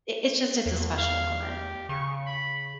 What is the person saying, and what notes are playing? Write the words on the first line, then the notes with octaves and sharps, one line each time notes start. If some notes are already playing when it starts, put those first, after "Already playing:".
it it's just it's a special moment.
E2
F5
G4
C#3 C#6
B5